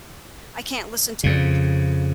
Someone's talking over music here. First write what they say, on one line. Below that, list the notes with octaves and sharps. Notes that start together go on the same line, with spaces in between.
I can't listen to it.
F2 C#3